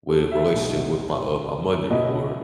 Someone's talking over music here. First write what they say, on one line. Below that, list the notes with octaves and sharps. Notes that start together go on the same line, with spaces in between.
with relationship with my, uh, my mother or
A4
E5
B1 B2 G#3 D#4 F#4
B2 F#3 C#4 E4 D#5